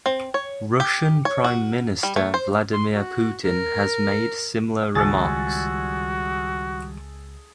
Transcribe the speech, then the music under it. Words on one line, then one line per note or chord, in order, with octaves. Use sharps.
Russian Prime Minister Vladimir Putin has made similar remarks.
C4
C#5
G4
C#5
F#4
G3
A3
C5
C6
F#4
A#4
C#2 D#3 G3 F4 F#4 G#4 A4 A6